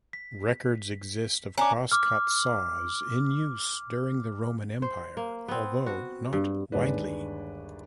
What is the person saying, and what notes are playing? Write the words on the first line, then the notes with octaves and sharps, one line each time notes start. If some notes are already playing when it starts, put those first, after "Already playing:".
Records exist of crosscut saws in use during the Roman Empire although not widely.
B6
C#4 D4 A#5 D6
D6 F6
C5
A#3
B3 C4
F#4
G2
G1 D#2 G#3 D4 B4